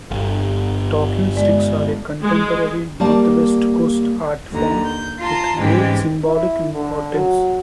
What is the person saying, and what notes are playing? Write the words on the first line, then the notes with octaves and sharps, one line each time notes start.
Talking sticks are a contemporary Northwest Coast art form with great symbolic importance.
G1
G#3 D5
G#3
G3 A#3 D5 A5
D#2 D3 A#5
G6
F4 A5 A#5 C6
G#2 E3 G#3 C4 C#4 G4
E4
D3
F#3